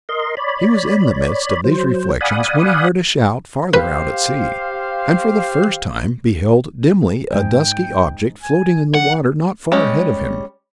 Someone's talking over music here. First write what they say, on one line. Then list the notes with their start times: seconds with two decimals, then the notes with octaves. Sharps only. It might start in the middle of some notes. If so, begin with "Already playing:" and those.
He was in the midst of these reflections when he heard a shout farther out at sea, and for the first time beheld dimly a dusky object floating in the water not far ahead of him.
0.09 A#4 D#5 C6
0.37 C#5 D5 B5
1.64 F#3 C5
2.21 D5 F5 F#5 G#5 B5 D#6
3.74 G4 B4 C5 F5
7.32 G#2 G5
8.42 G#5
8.94 F3 A#3 F#5
9.72 G3 G#3 C#4